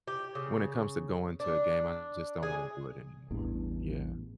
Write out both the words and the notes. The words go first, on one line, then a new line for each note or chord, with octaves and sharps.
when it comes to going to a game, I just don't wanna do it anymore. Yeah.
G4
C#3
D4
G#4
A1 E2 G2